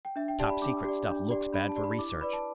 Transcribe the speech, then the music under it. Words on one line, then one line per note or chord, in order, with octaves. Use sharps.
The topsecret stuff looks bad for research.
G5
D4 E5
G5
G4 D5 A5
B5
D4 D6
G4 D5
D4
G4 D5
D4 B5
A5
G4 D5
B5
E4 D6
D6
B4 D5 B5
A5